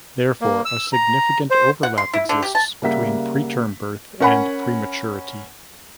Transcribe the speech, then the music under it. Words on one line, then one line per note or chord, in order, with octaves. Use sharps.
Therefore, a significant overlap exists between preterm birth and prematurity.
A#3
E6
A#5
C5
F#5
C6
E4
D3
G4
A5
C#3 G3 A#3 E5 F#5 B6
C#4 A#4 F#5 G#5 B5